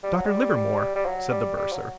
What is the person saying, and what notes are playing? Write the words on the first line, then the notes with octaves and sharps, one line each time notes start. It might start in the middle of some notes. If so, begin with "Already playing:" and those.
"Dr. Livermore?" said the bursar.
G3
F#3
G3
G3
F#3
G3
G3
F#3